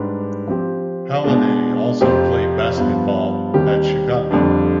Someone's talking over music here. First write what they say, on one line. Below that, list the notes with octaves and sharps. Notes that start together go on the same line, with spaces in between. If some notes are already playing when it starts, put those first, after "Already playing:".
Halladay also played basketball at Chicago.
Already playing: G#2 G3 D4 G4 B4
F3 C4 G4
B2 G#3 D4
F2 C3 F3 C4 G4
G2 F3 B3 F4
D#2 D#3 G3 C4 G4
F2 D3 G3 D4